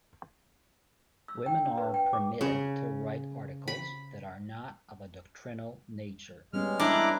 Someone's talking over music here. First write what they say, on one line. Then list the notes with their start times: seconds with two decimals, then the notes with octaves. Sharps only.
Women are permitted to write articles that are not of a doctrinal nature.
1.28 E6
1.46 G5
1.65 D4
1.78 B4
1.94 G5
2.13 D6
2.41 C#3
3.68 B5
6.53 G3 G#3 B3 C#4 F6
6.79 D4 E4 A#5 D6